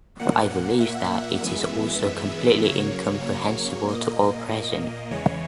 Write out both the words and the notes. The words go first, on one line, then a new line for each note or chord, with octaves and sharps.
I believe that it is also completely incomprehensible to all present.
A#2 A#3 F#5
E5
F#2 E3 G#3 B3
C#3 F#3 A#3 C#5
C#5
C#5
A#2 A#3 D#5
E2 C#3 E3 G#3 C#5